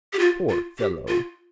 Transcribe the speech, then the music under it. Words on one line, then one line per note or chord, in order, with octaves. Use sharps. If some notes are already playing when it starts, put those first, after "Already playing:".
Poor fellow!
G4
F4
F4
G4
F4